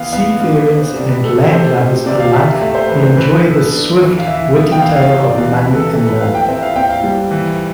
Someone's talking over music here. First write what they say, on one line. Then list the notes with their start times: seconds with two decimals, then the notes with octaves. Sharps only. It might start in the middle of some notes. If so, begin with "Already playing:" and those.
Seafarers and landlubbers alike will enjoy this swift, witty tale of money and love.
Already playing: E3 B3 F5
0.13 B3 F5
0.40 D4 F5
0.59 B4
0.68 B3
0.78 C5
0.96 C3 D5
1.09 B4
1.24 A3 A4
1.37 A4
1.51 C3 C5
1.79 C3
2.06 C3 D5
2.20 F5
2.34 C3 E5
2.62 A3 E5
2.75 C5
2.89 E3 B4
3.03 C5
3.16 E3 B4
3.35 B4
3.45 B3 A4
3.54 B4
3.72 D4
4.00 E3
4.19 F5
4.27 E3 E5
4.55 B3
4.72 G5
4.82 E3 F5
4.96 F5
5.10 C3 F5
5.24 D5
5.38 E3 F5
5.56 B4
5.65 E3
5.75 A4
5.92 E3 A4
6.07 B4
6.20 C4 F5
6.35 G5
6.48 C4 E5
6.63 F5
6.76 C4 G5
6.90 F5
7.04 G3
7.31 E3